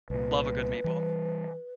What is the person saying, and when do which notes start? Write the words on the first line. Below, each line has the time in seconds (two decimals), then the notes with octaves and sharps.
Love a good meatball.
0.10 C2 A#2 B4
0.84 E3 G3